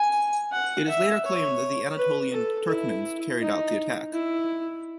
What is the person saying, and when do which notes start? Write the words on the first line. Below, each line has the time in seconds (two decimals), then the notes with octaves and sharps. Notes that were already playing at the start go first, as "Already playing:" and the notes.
It is later claimed that the Anatolian Turkmens carried out the attack.
Already playing: G#5
0.52 F#5
0.88 E5
1.25 C#5
1.97 B4
2.32 A4
2.69 E4
3.41 D#4
4.13 E4